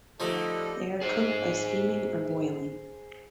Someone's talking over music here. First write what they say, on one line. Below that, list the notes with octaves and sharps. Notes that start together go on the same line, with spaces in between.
They are cooked by steaming or boiling.
D3 F3 G3 A3 D#4 A4 D#5
G#4 C5